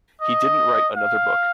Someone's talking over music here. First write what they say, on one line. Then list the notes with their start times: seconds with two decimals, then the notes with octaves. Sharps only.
He didn't write another book.
0.21 D#5
0.96 F5